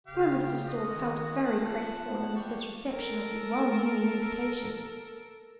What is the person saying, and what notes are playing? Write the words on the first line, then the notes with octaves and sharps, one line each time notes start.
Poor Mr. Stork felt very crestfallen at this reception of his well-meaning invitation.
C#3 G4 F5 G5
G#3 F#4 D#5
D#3
F3 A3 F#5 A5
B3
F3 G3 C#6
A4 A#4